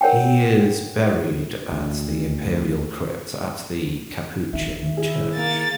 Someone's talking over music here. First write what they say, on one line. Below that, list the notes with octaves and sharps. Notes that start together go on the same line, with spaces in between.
He is buried at the Imperial Crypt at the Capuchin Church.
A#4 C#5 F#5 G5
D2
D#3 E5
E4 G#4
A#3 A6